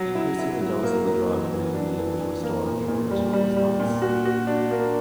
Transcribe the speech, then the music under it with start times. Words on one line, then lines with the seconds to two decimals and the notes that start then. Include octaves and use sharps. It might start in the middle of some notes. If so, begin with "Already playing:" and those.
Increasing the dose of the drug may be able to restore the original response.
Already playing: F#3
0.15 E4
0.39 E4
0.61 F#3
0.83 A#3
1.07 F#3
1.30 E3
1.52 E3
1.74 D4
1.98 E3
2.20 E3
2.43 A#3
2.66 A#2
2.89 A#2
3.11 G3
3.33 G3
3.57 G3
3.80 A#2
4.02 F#4
4.25 F#4
4.47 D4
4.71 A#3